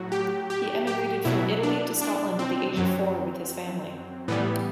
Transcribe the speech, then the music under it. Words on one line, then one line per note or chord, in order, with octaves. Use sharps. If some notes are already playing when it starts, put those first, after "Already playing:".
He emigrated from Italy to Scotland at the age of four with his family.
Already playing: A2 F#3 F#4
G4
G4
G4
B2 F#3 E4
D4
D4
C4
F#2 F#3
A2 E3 G3 B3